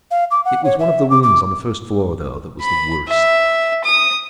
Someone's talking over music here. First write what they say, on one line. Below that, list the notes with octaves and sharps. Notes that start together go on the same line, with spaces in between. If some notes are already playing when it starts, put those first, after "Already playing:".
It was one of the rooms on the first floor, though, that was the worst.
F5
D6
F#5
C#5
E5
D6
D6
B5
E5
D#6